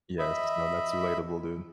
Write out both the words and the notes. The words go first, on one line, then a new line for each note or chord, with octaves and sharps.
yes, no, that's relatable, dude.
D#5 E5 B5